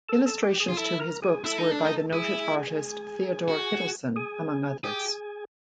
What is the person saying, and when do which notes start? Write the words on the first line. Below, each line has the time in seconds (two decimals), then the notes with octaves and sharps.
Illustrations to his books were by the noted artist Theodor Kittelsen among others.
0.09 A4 A5
0.26 A4 A5
0.43 G4 G5
0.60 G#4 G#5
0.69 F4
0.76 E4 A4 A5
1.00 A#4 A#5
1.22 G#4 G#5
1.44 E4 A4 A5
1.58 D#4
1.71 D4
1.85 D#4
2.12 E4 G#4 G#5
3.48 F#4
4.16 G#4 G#5
4.83 G4 G#4 G#5